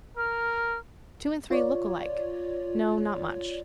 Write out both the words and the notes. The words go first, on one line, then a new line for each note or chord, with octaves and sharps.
Two and three look alike--no, not much.
A#4 F6
F4 C#5 D5